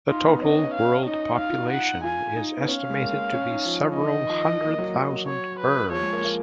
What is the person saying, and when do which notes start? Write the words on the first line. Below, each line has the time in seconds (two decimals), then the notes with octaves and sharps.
The total world population is estimated to be several hundred thousand birds.
0.10 D#4 F4
0.26 B3
0.42 C#4 D#5
0.74 F5
1.06 D#4 D#5
1.38 D#4 F5
1.49 F4
1.61 D#4
1.71 F#5
2.04 F4 G#5
2.35 D#4
2.57 B3
2.68 C#4 F5
2.89 G#3
3.00 A#3
3.33 C#4
3.49 D#4
3.65 F3
3.81 F3
3.97 D#3 D#5
4.29 F3
4.62 A#3
4.78 F#3
4.94 F#3
5.27 C#5
5.59 B4
5.91 F3 C#5
6.02 G#3
6.13 A#3
6.24 A#3